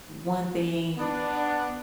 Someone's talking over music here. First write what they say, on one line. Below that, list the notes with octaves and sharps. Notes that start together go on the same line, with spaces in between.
one thing
B3 D4